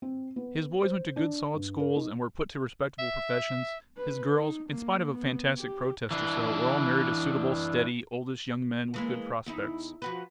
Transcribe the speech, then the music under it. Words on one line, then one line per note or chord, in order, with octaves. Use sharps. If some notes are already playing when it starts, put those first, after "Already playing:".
His boys went to good solid schools, and were put to respectable professions; his girls, in spite of a fantastic protest or so, were all married to suitable, steady, oldish young men with good prospects.
C4
B3
C5
D4
G2
A#4
D#4
E5
B4
D#4
A#3
B3
G4
E3 D4
E3 G#3 A#3
E2 D#4 E4
F3 F#4 B4